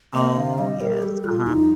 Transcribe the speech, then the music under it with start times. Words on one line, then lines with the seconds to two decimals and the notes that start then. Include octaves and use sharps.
Oh, yes, uh-huh.
0.14 A#3 D#5
0.36 D3 F5
0.58 G3 D#5
0.81 G3 A#4
0.93 G4
1.03 G3 A4
1.24 G3 F4
1.46 F2 D#4